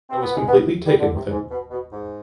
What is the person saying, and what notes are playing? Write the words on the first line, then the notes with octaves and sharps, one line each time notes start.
I was completely taken with him.
C4
B3
G#3
B3
G3
D3
C3
G#2
B2
B2
G#2